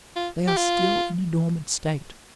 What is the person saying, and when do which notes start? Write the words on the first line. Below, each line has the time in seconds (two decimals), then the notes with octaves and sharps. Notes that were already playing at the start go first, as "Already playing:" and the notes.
They are still in a dormant state.
0.16 F4
0.47 G4
0.57 F4